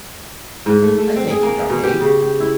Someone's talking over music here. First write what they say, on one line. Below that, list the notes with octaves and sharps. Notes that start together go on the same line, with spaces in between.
I thank you, Darnay.
G#2
A3
A3
C4
G#4
A#3
B2
G4
C#3
G4
E4